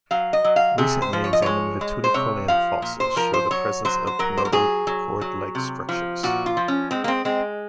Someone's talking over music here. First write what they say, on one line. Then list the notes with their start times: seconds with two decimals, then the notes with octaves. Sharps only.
Recently examined Vetulicolian fossils show the presence of notochord-like structures.
0.11 F#3 F5
0.33 D#5
0.44 F#3
0.56 F5
0.78 C3 G#4
1.02 C5
1.13 F3
1.24 C#5
1.33 D#5
1.42 G#3 C#5
1.81 G#3
2.04 C5
2.14 C3 C#5
2.48 F3 F5
2.82 A#2
3.00 C5
3.16 F3 A#4
3.34 C5
3.51 F#3 C#5
3.85 F#3 C5
4.07 C5
4.19 F#3 A#4
4.37 C5
4.45 A#4
4.52 F#3 G#4
4.87 F#3
5.21 F#3
5.55 C3
5.89 F3
6.23 A#2 F#4
6.46 F4
6.57 F3
6.68 C#4
6.91 G#3 C4
7.04 A#3
7.08 C4
7.25 G#3 C4